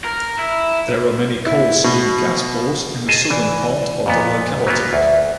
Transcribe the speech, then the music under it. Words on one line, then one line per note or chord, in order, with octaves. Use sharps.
There are many coal seam gas bores in the southern part of the locality.
A#4
E4
E4
B2
G#4 D#5 A5
E3 D5
F2 A#2 B3
F#3 A#3 B3
D2 E5